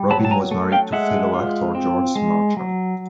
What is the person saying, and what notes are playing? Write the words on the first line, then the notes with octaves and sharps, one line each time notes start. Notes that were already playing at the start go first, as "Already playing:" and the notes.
Robin was married to fellow actor Georges Marchal.
Already playing: G3
F#3 A5 B5
A5
G#5 A#5
A3
F5 G5
G#3 E5 F#5
F4
C4
G#3
F#3